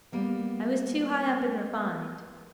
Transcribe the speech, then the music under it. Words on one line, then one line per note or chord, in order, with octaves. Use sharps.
I was too high up and refined.
G3 A#3 B3